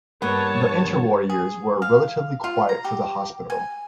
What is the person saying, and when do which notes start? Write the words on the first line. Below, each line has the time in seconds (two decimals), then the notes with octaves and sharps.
The interwar years were relatively quiet for the hospital.
0.22 G2 A#3 B3 C#5 A5
1.30 G#4
1.82 F5
2.44 F4
2.69 A#5
2.84 G4
3.50 G#5